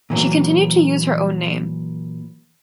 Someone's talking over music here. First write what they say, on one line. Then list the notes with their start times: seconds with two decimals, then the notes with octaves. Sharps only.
She continued to use her own name.
0.10 A#2 E3 F#3